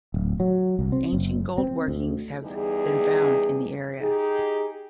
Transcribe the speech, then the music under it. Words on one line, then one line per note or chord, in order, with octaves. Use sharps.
Ancient gold workings have been found in the area.
D1
F#3
C2
C4
F#1
C4
D2
E2 G3 D#4 G#4
D#4 G4 G#4